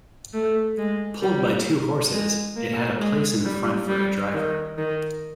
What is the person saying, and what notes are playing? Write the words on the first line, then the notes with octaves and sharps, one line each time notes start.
Pulled by two horses, it had a place in the front for a driver.
A3
G#3
G3
G#3
A#3
G#3
G3
G3
D#3
D#3